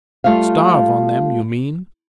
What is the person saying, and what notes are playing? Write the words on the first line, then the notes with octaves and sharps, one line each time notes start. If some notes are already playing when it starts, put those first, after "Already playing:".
"Starve on them, you mean?"
G3 A3 F4 E5 F5